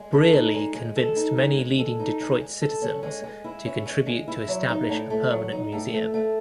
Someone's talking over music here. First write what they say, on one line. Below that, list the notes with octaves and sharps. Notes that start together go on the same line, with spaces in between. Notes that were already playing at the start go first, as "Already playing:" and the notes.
Brearly convinced many leading Detroit citizens to contribute to establish a permanent museum.
Already playing: G#3
A4
D#4
G#3
G#3
A4
D#4
G#3
G#3
A4
D#4
G#3
G#3
A4
C#4
G#3
G#3
E4
C#4
G#3
G#3
E4
F#3
D#4
A2
A3
F#3
D#4
A2
A3
A3